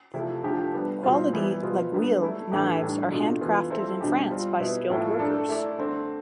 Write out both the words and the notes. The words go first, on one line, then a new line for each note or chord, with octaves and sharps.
Quality "laguiole" knives are handcrafted in France by skilled workers.
C3 F3 A3 E4
D3 F3 A3 E4 G4
G3 B3 D4
B2 G3 C4 F4 C5
E3 G3 B3 E4
B2 B3 F4 C5
D3 G3 B3
A3 E4 A4
A2 E3 A3 D4 G4
A2 G3 D4
B2 A3 D4 F4
E3 B3 F4
F3 C4 E4 A4
B2 G3 D4 G4
G3 C4 F4
B2 B3 E4
A2 F3 A3 E4
A3 D4 A4 D5
A3 E4 A4 D5
D3 A3 C4